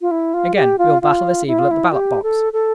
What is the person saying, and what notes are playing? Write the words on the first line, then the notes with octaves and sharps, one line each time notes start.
Again, we will battle this evil at the ballot-box.
F4
E4
F4
G4
F4
F4
E4
F4
E4
G4
A4
A4